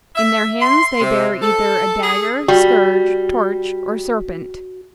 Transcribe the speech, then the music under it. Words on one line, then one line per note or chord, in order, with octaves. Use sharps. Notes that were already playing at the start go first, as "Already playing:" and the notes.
In their hands they bear either a dagger, scourge, torch, or serpent.
E5
C6
C3
A4
G#4
G3 F#4